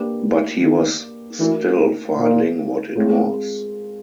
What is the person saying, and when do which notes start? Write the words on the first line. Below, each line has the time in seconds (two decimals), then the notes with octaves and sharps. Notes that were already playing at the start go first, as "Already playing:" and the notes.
But he was still finding what it was.
Already playing: A#3 D4 G4 B4
0.61 D#3
1.39 E3 A3 D4 F#4 A#4
2.18 A#2
2.96 A2 G#3 C4 F4 A4